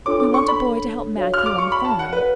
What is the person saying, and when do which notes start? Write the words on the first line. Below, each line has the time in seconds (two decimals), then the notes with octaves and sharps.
We want a boy to help Matthew on the farm.
0.06 D4 F4 A4 C#5 D6
0.20 D6
0.34 C#6
0.48 B5
1.16 F#4 C#5 F5
1.34 F6
1.46 D6
1.58 C#6
1.72 B5
1.85 A5
1.99 F#5
2.13 B4